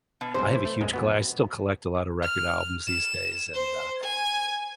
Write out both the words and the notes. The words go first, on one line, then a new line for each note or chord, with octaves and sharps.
I have a huge colle I still collect a lot of record albums these days and, uh,
B2
B1 G#2 C3 C5
E3 E4
A3
B1 F#2 G#3
F2 B2 B3
F6
E7
C5
G#5